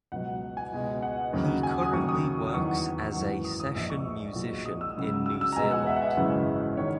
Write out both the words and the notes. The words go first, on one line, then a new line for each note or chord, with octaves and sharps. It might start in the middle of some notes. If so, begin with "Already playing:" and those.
He currently works as a session musician in New Zealand.
C#2 B2 F#3 F#5
G#5
C#2 B2 G#3
F#5
D#2 C#3 F#3
G#5
D#6
D#2 C#3 F#3 C#6
D#6
E2 D#3 F#3 C#6
G#1 F#2 E3
D#6
D#6
A#1 A#2 G#3 E6
C#6
B1 A#2 G#3
D#6
E6
C#2 C#3 F#3
E6
E6
A#5
C#2 B2 G#3 G#5
F#5
E5
F#5
E5
G#1 F#2 C#3 E3 G#3
D#3 C#5